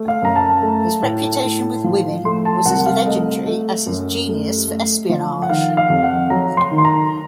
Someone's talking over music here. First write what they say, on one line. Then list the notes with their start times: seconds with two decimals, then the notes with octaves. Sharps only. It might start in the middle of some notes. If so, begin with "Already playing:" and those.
His reputation with women was as legendary as his genius for espionage.
Already playing: A3
0.08 F5
0.22 F#2 A#5
0.36 A5
0.62 A3
1.02 A2
1.44 A2
1.84 F3
2.25 A3 C6
2.45 A5
2.65 C2 F#5
2.86 F5
3.05 A3 D#5
3.47 A3
3.87 F#2
4.28 A3
4.68 A3
5.09 F3
5.42 F#5
5.49 D#3 F5
5.77 F5
5.90 F2
6.03 F#5
6.30 F#3 A#5
6.57 C6
6.71 D#3
6.78 C6
6.85 A#5